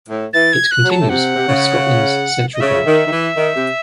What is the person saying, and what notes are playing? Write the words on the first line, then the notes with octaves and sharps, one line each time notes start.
It continues across Scotland's Central Belt.
A2
E3 A6
G#6
F#6
F#3
A5
A2
C3 F#5
C3
C#3
D#5
C#3 E5
D#3
D#3
E3
D#3
C3